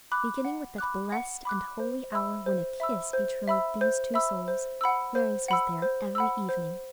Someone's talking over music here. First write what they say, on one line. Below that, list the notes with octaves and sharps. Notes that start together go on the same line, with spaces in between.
Beginning with that blessed and holy hour when a kiss betrothed these two souls, Marius was there every evening.
B5 D6 F#6
F#5
B5 D6 F#6
F#5
B5 D6 F#6
C5
E5 B5 E6
C5
E5 B5 E6
C5
E5 B5 E6
C5
E5 B5 E6
C5
F#5 B5 E6
C5
F#5 B5 E6
C5
F#5 B5 E6
C5